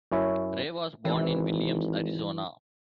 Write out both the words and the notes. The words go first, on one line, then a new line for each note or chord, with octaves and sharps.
Ray was born in Williams, Arizona.
F#2 C#4 E4 C#5 E5
G#1 E3